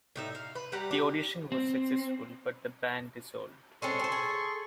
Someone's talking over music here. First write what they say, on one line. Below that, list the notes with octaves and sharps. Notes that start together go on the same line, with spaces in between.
The audition was successful, but the band dissolved.
A2 D#4 E5
F5
B4
G3 G4 F#5 A#5
D4 G4
C4
G#3 C4 C#4 A4 C6 C#6
G4 C5
G#4